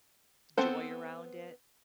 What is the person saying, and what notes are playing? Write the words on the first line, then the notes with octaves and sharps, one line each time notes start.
joy around it
B3 C4 A4 C5